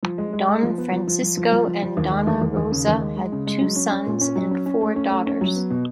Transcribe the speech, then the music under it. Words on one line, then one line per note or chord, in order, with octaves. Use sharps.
Don Francisco and Donna Rosa had two sons and four daughters.
F3
G#3
G#3
G#3
F3
B3
F3
F3
F3
F3
F3
F3
F3
D#2
G#3
D#2
D#2
D#2
C#3
D#2
G#3
G#3
C#3
G#3
F#3
C#4
C#4
A#2
C#4
F#3
C#4
C#4
A3
C#4
A3
C#4
F#3
B3
B2